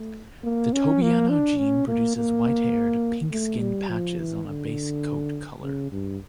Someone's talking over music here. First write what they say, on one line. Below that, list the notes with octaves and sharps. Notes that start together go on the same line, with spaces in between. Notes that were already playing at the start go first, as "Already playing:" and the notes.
The tobiano gene produces white-haired, pink-skinned patches on a base coat color.
Already playing: A3
A#3
C#4
A#3
D4
C#4
A#3
A#3
A3
G3
F3
E3
D3
C#3
G2